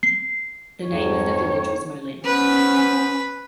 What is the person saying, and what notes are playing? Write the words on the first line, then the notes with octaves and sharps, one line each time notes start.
The name of the village was Molin.
C7
F2 G#2 C#5
B3 C#4 B4 C5